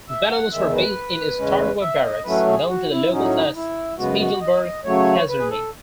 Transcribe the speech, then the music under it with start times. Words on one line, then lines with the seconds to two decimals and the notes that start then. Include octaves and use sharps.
The battalions were based in Stornoway Barracks, known to the locals as Spiegelberg Kaserne.
0.08 E5
0.30 F#5
0.52 E2 D#3 G#3 E5
0.74 B4
1.39 E2 C#3 G#3 C#4
1.81 E5
2.03 D#5
2.25 A2 F#3 A3 C#4 B4
2.47 G#4
2.68 F#4
2.91 E4
3.12 A2 F#3 C#4 D#4
3.55 E4
3.98 F#2 C#3 G#3 B3 F#4
4.20 F#4
4.41 D#5
4.84 C#3 F#3 A3 C#5
5.29 B4
5.40 G#4
5.50 A4